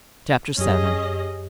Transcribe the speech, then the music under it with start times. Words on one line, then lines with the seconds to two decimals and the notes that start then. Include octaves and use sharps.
Chapter VII.
0.58 F#2 C#4 G4 G#4 D#5